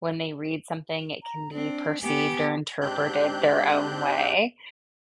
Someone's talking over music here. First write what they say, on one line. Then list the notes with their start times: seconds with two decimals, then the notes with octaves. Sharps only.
when they read something it can be perceived or interpreted their own way.
1.23 A#5
1.53 C4 D4
2.01 B3 G4 G#5
2.81 G#2 C4 D4 G4 F#6 G6